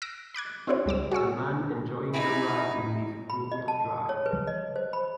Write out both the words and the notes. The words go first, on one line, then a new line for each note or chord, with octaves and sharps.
A man enjoying the ride in his four wheel drive.
E6 F#6 A#6 D7
B5 D6 F#6 G#6
C4 D4 E4 F#4 C5 C#5
C#2 G3 D6 E6
F#4 G#4 C#5 E6
D#4 E4 G#5 B5
B5
D#5
A5
C#5
B4
D#5
C5
B5